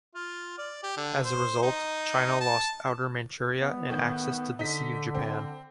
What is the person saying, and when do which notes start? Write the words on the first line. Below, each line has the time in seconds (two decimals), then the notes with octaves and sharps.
As a result, China lost Outer Manchuria and access to the Sea of Japan.
0.15 F4
0.58 D5
0.83 G4
0.97 D3
1.25 C5
1.62 D#4
2.40 A5
3.57 B3
3.90 A2 D#3 G6
4.59 D3 D#4 B6
5.15 C4